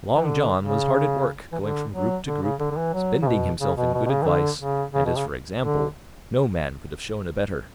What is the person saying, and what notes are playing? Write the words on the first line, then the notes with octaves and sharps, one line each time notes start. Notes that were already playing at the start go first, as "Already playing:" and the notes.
Long John was hard at work going from group to group, spending himself in good advice, and as for example no man could have shown a better.
E3
D3
C#3
E3
D3
F#3
D3
C#3
D3
D3
E3
F#3
C#3
B2
C#3
B2
B2
B2
C#3
E3
D3
C#3
C#3
B2
C#3
D3